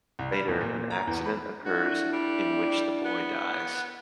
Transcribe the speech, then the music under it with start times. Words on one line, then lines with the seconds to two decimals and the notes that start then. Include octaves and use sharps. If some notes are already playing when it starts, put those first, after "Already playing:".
Later, an accident occurs in which the boy dies.
0.19 C2
0.32 G3
0.48 E2
0.61 A#2
0.90 A#5
1.07 E2
1.26 B5
1.65 D4 E4 F#4
2.13 G3
3.05 B3